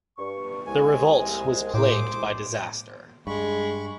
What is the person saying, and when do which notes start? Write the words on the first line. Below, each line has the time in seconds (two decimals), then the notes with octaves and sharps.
The revolt was plagued by disaster.
0.18 G2 C#6
0.67 C2 G#3 G#5
1.74 A2 C5 D6
3.27 G2 G#3 B5 C#6